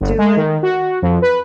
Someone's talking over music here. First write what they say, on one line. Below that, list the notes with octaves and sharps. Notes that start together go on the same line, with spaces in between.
do it.
G1
G#3
D#3
F#4
F2
B4